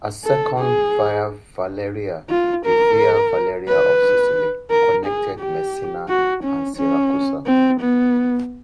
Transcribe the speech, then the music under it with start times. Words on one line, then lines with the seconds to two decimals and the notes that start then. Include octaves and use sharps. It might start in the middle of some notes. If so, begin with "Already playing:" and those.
A second Via Valeria, the Via Valeria of Sicily, connected Messina and Siracusa.
0.25 A4
0.59 G#4
2.30 F4
2.65 A#4
3.67 B4
4.70 A#4
5.06 G#4
5.40 G4
6.09 F#4
6.43 C#4
6.76 C#4
7.46 C4
7.80 B3